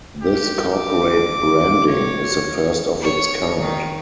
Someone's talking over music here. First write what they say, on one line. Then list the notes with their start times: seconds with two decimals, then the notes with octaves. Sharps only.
This corporate branding is the first of its kind.
0.22 G4
0.73 D6
1.87 C#5
3.01 C#5
3.59 D#3